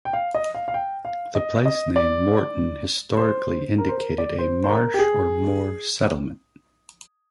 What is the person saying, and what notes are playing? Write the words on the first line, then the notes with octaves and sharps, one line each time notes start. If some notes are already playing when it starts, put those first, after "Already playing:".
The place name Morton historically indicated a "marsh or moor settlement".
G5
F5
D#5
F5
F5
G5
F5
D#5
D#5
D5
C5
A#4
C5
A#4
D5
C5
C5
A#4
G4
G#4